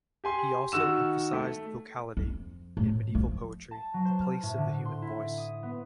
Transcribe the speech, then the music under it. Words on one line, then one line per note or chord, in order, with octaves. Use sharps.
He also emphasised "vocality" in medieval poetry, the place of the human voice.
G4 G#5 C6
D#3 F#4 E6 E7
A3
F2
A2
F3
A5
F#3
C5
F6
A2
D3
C6
E4
D#6
B3